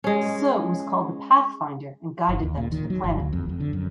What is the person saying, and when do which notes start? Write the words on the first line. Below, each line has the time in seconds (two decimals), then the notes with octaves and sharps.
Suh was called the Pathfinder and guided them to the planet.
0.04 G#3 C#4
2.29 G1
2.43 D#2
2.57 A#2
2.72 D#3
2.90 F#3
3.04 G1
3.20 D2
3.33 F2
3.49 F2
3.60 D3
3.73 F#2